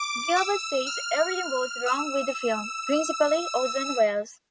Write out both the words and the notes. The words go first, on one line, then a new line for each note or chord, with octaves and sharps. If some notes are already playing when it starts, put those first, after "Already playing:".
Gilbert says "everything was wrong with the film - principally Orson Welles".
Already playing: D6
E6
F6
E6